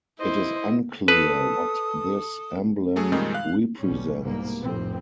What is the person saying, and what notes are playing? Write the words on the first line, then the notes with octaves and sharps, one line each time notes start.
It is unclear what this emblem represents.
E4 C5 D#5
A4 B4 D#6
F#3 A3 G#4
F2 A#2 D#3 G3 G#3 D#4
F5 F#6
B1 G3 C#4
C2 G#2 B2 G3 G#3 A#3
F1 A#1 A2 C3 C4